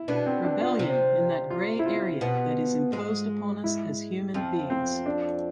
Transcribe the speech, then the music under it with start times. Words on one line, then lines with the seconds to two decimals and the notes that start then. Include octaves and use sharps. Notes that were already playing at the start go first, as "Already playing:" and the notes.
Rebellion in that grey area that is imposed upon us as human beings.
Already playing: E4
0.08 B2 B3 D4
0.26 C4
0.44 D4
0.61 F4
0.79 C3 C4
1.50 F4
1.79 E4
1.86 F4
2.21 B2 B3
2.92 G#2 G#3
3.64 E4
4.34 F2 F3 C4
4.70 C4
5.06 D4